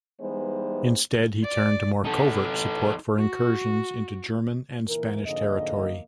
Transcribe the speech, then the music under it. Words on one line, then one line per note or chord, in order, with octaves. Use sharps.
Instead, he turned to more covert support for incursions into German and Spanish territory.
E3 G3 G#3 B3 D#4 C5
D5
D#4 A4
F#4
A#2 E3 A#3 A#4
F2 G#2 D3 A#3 D#5